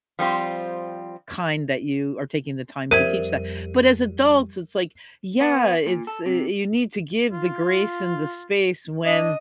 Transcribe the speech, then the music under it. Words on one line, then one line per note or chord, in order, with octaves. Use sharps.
kind that you are taking the time to teach that. But, as adults, it's like, yeah, it's, eh you need to give the grace and the space when,
F3 G3 C4 F4
F2 G3 A#4 C5 E5 G#6 D#7
B3
A#2
A4
C3
F4
D4 D#5